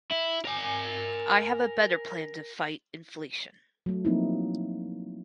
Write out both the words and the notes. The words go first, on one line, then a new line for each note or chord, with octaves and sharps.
I have a better plan to fight inflation.
E4
A#4 G#5
F#3 A3
F3 F#3 A#3 C4 D#4 E4